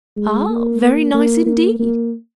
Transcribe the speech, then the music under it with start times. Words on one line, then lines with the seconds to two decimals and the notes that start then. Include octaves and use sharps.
Ah! very nice indeed.
0.16 G#3
0.49 A#3
0.82 A#3
1.14 A#3
1.46 A#3
1.80 A#3